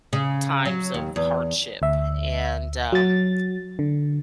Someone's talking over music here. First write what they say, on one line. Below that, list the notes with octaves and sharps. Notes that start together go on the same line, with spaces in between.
times of hardship, and, um,
C#3
F#3
D#2
E2
D2 E5
F#3 A6
D3